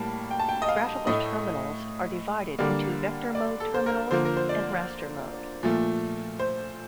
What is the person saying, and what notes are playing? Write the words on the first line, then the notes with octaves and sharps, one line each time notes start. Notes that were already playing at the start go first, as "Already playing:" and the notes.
Graphical terminals are divided into vector-mode terminals, and raster mode.
Already playing: A2 G3 A#3 A5
G5
A5
G5
D#5
F5
A2 A3 D#5
D3 G3 A#3 D5
D5
A4
C5
A#4
D3 F3 A#3 C5
A#4
C5
D5
A#2 F3 A3
C5